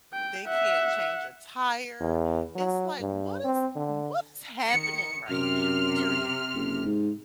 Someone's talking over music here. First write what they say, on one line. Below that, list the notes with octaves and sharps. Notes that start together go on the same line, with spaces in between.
They can't change a tire. It's like, what is what is happening right now, seriously?
G5
E5 F#5
E2
F#3
G2
C4
D3
D#3 C#7
F#2 C3 F6
F#1
G#2